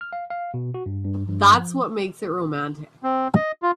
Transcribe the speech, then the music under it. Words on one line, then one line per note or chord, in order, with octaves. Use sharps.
That's what makes it romantic.
F6
F5
F5
B2
F#4
G2
G2
G2
F3
C4
D#5
F4